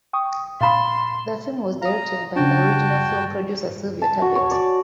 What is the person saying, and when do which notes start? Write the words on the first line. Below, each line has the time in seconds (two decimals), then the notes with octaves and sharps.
The film was directed by the original film producer Sylvio Tabet.
0.13 G5 C#6 D#6
0.61 A#2 F5 B5 C6 A6 E7
1.82 F5 A#5 D#6
2.36 C#3 D4 F#4 G5 A5
4.02 A5
4.22 F#4
4.36 C#5
4.51 D5